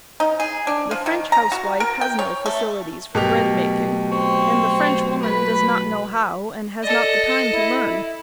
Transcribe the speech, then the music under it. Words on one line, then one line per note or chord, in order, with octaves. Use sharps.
The French housewife has no facilities for bread-making and the French woman does not know how and has not the time to learn.
D#4
G#4
D4
F3
D#3
A#5
F#4
A#4
G5
C#5
A3
B2 F#3 A3 G4 A#4 F7
C4 C#6
B4 B5
A4 D5 D#5
E4